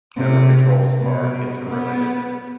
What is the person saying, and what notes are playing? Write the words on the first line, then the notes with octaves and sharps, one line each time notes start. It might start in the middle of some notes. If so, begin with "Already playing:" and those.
Camera controls are interrelated.
C3
B2
B3